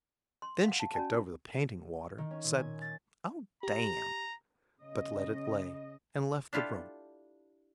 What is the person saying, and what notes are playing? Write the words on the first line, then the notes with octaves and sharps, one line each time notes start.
Then she kicked over the painting water, said, "Oh, damn!"--but let it lay--and left the room.
C6
F5 F#5
A5
C#4 F#4 D5 G#5 A5
D4
D#3
C#4
A#2
G#5
A6
G4 A#5
C#3 D#5
D4 E4 F4 G4 A4